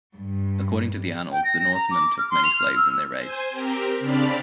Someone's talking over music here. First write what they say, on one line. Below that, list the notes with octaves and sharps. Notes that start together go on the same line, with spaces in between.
According to the annals, the Norsemen took many slaves in their raids.
G2
G5
A#6
A#6
A#5
D6
F6
C6
F7
F6
E6
C5 G#5
C4 G4 A#4
C#3 C4 D4 D5 B5 F6